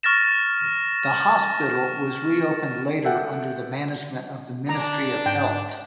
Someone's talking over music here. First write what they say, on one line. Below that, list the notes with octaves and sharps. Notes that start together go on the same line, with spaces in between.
The hospital was reopened later under the management of the Ministry of Health.
C#6 F6 A6 A#6 E7
A4 E5 F#5 G5
D4 A#5
G#2 G5